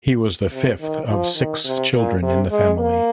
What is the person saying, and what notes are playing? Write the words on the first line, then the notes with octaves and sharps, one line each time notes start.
He was the fifth of six children in the family.
C3
D#3
F3
D#3
C3
A#2
C3
G#3
A#3